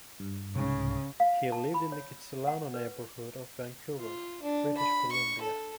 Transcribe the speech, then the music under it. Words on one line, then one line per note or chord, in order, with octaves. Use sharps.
He lived in the Kitsilano neighborhood of Vancouver, British Columbia.
G2
C2 G#2 C#3
F5
A5
B5
C#5
F#5
B4
F4
D4
B5
C#6
A4